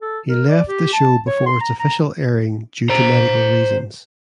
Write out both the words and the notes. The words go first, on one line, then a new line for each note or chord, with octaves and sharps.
He left the show before its official airing due to medical reasons.
A4
A#4
D5
G4
A5
C#5
C6
A#5
A#5
C5 A#5